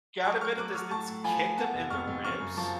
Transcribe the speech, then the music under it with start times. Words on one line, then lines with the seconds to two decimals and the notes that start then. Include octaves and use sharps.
got a bit of distance, kicked him in the ribs,
0.24 F#3 A5 C#6
0.41 A3 C#6 F6
0.57 F#3 D6 F#6
0.74 F#3 C#6 F6
0.91 A2 A5 C#6
1.08 A2
1.24 F3 G#5 B5
1.40 F3
1.58 B3 F#5 A5
1.74 F1
1.90 F2 C#6 F6
2.07 F2
2.24 C#3 C#6 F6
2.40 F#2
2.57 F3 A5 C#6